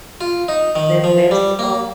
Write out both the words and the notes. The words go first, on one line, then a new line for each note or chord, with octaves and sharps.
The Best Of.
F4
D#4
D#3
F3
G3
A#3